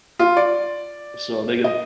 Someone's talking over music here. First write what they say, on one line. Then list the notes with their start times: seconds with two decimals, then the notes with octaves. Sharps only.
So they could
0.19 F4
0.37 D5
1.64 D#5